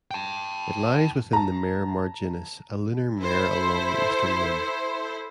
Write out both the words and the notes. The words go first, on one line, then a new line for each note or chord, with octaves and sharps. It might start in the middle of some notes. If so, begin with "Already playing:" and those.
It lies within the Mare Marginis, a lunar mare along the eastern limb.
G5 A5
A5 A#5
E4 A4 C5